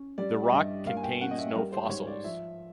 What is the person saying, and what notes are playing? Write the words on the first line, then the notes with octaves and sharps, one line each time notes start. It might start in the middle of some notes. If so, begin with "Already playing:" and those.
The rock contains no fossils.
Already playing: C#4
G3 D5
E5
G2 D#5
A#3 F5
G#5
G5
C#4 F#5
D#5
E5
G3 A#4
C5
G#2 C#5
D5
F3 E5